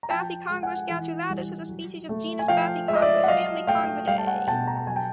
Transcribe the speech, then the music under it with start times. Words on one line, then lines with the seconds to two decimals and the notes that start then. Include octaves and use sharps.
Bathycongrus gattulatus is a species of genus Bathycongrus, family Congridae.
0.03 A#5
0.09 F3 G5 A5
0.49 G#3
0.63 F#5 G#5
0.89 E3
1.30 G3
1.69 F#3
2.09 A3
2.39 G#5
2.48 F3 F5 G5
2.88 G#3 E5
2.95 D#5
3.02 D5 E5
3.23 F#5
3.28 F#3 D#5 F5
3.67 A3 F5 G5
4.07 G3 F5 G5
4.18 A5
4.27 F#5 G#5
4.47 B2 G5 A5
4.67 A#5
4.77 A5
4.87 F#3 G#5
4.96 G5 A5